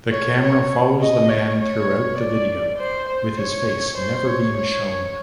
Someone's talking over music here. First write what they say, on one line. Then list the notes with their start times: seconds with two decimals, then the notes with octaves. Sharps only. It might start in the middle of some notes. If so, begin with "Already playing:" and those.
The camera follows the man throughout the video, with his face never being shown.
0.11 C#5
0.41 C#5
1.01 D#5
1.30 C#5
1.60 C#5
2.19 D5
2.78 C5
3.09 C5
3.38 C#5
3.97 C5
4.26 C#5
4.57 C#5